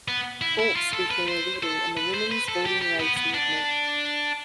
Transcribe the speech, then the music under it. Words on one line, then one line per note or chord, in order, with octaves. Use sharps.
Foltz became a leader in the woman's voting rights movement.
B3
E4
E4
F4
A4
B4
C5
A4
B4
C5
B4
A4
G4
G4
B3
B3
D4